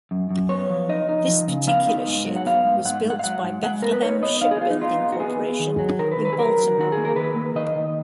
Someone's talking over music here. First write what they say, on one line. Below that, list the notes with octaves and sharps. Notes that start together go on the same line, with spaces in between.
This particular ship was built by Bethlehem Shipbuilding Corporation in Baltimore.
F#2
F#2
B3 C#5
F3
D#4 D#5
D#4
F3
C#3
B3 F5
D#4
G#2
F#3
F#5
B3 F5
G#2
G#2 F#5
G#2
F#5
F5
F#3 F#5
G#2
G#3 F#5
B3 A#4
B4
D#4 C#5
B3 D#5
D#4 F5
G#4
D#4
B3 F4
D#4
D#4 F4
B3
F#4
B3 G#4
B3
D#3
F#3
D#3 A#4
B4
D#3
B4
G#4
F#3 A#4
F#3
D#3 F#4
G#4
A#3
A#4
D#3 B4
A#3
D#3 D#5
D#3